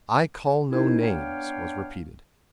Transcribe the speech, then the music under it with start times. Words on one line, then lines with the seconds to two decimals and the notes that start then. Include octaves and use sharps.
"I call no names," was repeated.
0.71 C#4 D#4 E4 A#4 C5
1.01 B3 D4 C#5 F5 G5